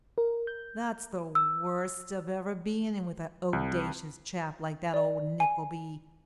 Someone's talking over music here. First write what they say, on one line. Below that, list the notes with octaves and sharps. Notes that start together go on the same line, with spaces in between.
That's the worst of ever being in with a owdacious chap like that old Nickleby.
A#4
G6
E6
C2
D5
G#5